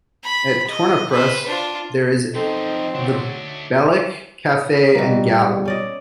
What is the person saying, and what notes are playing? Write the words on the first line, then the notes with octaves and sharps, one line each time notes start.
At Tornapress there is the "Bealach Cafe and Gallery".
B5
D#5
B4 C5
D4 F4
F#2 F3 C4 D#4 A4
D3 F#3 A3 D4
B2 G3 A#3
C#4 D5 D#5